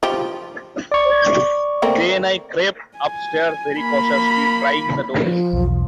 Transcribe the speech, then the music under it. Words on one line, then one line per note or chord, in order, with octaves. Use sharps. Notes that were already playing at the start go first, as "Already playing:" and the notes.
Then I crept upstairs very cautiously, trying the doors.
F3 F4 G4
D5 C#6
A3 A#3 C4
G#5
A#3 B5
F3
B1 E2